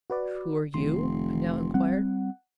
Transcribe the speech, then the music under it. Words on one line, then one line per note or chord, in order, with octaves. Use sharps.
"Who are you?" I now inquired.
F#4 B4 D5
F1 D#3 C6
G3 C4 F#5